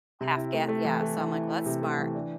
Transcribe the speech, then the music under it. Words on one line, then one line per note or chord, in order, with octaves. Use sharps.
half ga Yeah, so I'm like, "Well, that's smart.
C3
E4
A3
A3
E3
A3
E3
E4
E4
C3
A3
E3
D4